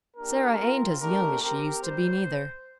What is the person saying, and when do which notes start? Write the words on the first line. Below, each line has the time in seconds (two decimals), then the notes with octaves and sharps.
Sara ain't as young as she used to be, neither.
0.16 A#3 D4 G4 A#4
0.58 C4 F4
0.99 A3 D4 G4 A#4
1.40 C4 G4 A#4
1.82 G3 C5